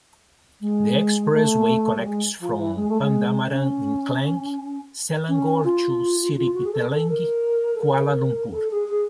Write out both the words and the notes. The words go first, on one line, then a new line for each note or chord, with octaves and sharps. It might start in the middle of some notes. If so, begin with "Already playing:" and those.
The expressway connects from Pandamaran in Klang, Selangor to Sri Petaling, Kuala Lumpur.
G#3
A3
G3
G#3
F3
E3
G#3
A3
G#3
C#4
C#4
F4
F4
F#4
G#4
A4
A4
A#4
A4
A#4
A4
G#4
G#4